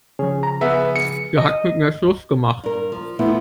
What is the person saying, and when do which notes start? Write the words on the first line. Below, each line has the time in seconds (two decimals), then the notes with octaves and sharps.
Sie hat mit mir Schluss gemacht.
0.19 C#3 F3 C#4 G#4 C#5
0.43 A#5
0.61 B3 G#4 E5
0.96 C#7
1.37 D#5
2.64 G2 A#4
2.92 F3
3.19 F3 A3 B3 E4